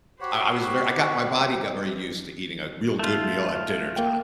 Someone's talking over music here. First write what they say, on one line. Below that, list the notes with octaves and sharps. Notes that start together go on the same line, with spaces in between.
I I was very I got my body got very used to eating a real good meal at dinner time.
F#4 G4 C5 C#5 F#5 B5
A3 F4 G6
A#3 G5